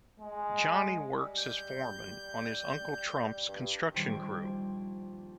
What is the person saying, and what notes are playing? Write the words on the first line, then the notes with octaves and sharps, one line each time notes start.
Johnnie works as foreman on his uncle Trump's construction crew.
G#3
G3
G6
G2
A#1 D#3 G3 C5 G#6 D7